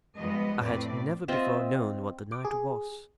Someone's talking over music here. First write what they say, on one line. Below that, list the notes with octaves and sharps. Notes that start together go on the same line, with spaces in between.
I had never before known what the night was.
G2 F3 G#3 B3 D#5
F2 A2 C4 B4 D5
C4 F4 D#5 E5
D6
G#4